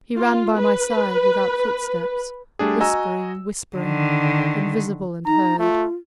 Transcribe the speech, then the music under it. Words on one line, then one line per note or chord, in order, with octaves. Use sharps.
He ran by my side, without footsteps, whispering, whispering--invisible and heard.
F4
B4
G3 A3 D4 G#4
F#4 D#5 G#5 A#5 E6
D3 D#3
D#4 A#5
A3 F4